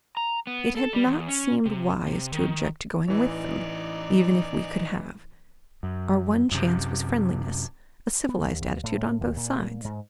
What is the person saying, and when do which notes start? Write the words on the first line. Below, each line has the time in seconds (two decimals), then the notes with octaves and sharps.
It had not seemed wise to object to going with them, even if we could have; our one chance was friendliness--a civilized attitude on both sides.
0.17 A#5
0.47 B3
0.77 A4
0.93 G3
1.06 E2
1.28 C#4
1.66 C3
2.07 C3
2.33 D#3
3.08 A1 E3 D#4 D5
5.83 F#2
6.52 F#2 C3
8.29 B3
8.42 D#2
8.61 D#2
8.83 A2
9.21 D#2
9.36 A#2
9.85 G#2